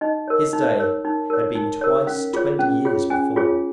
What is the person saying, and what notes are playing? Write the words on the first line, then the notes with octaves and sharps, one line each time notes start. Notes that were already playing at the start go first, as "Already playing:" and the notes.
His day had been twice twenty years before.
D#4 D#5
A#4 C#5
D#4
A#4 C#5
D#4
A#4 C#5
D#4
A#4 C#5
C#4 F5
F4 G#4 C#5
C#4
F4 G#4 C#5
C#4 G#5
F4 G#4 C#5